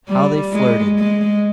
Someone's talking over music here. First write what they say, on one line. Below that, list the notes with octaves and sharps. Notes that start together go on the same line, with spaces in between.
How they flirted!
G3
G#3
G#3